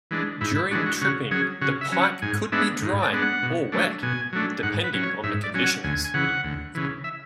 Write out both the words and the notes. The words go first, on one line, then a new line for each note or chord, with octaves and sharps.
During tripping, the pipe could be dry or wet depending on the conditions.
E3 G#3 D4
G#2 E4
E4
E3 G#3 D4 F#4
F#4
C#3 F#4
F#3 C#4 G#4
C#3 F#4
E5
F#3 C#4
F#5
G#2 G#5
G#3 B3 D4 E5
G#2
D5
G#3 B3 D4
F#5
B2
F#3 A3 D4
B2 G#5
F#3 A3 D4
G#2 F#5
B4
F#3 C#4
C#5
G#2 E5
D5
F#3 C#4 G#5
F#5
D2 G#5
G#5
C#3 E3 F#5
D2
C#3 E3
E5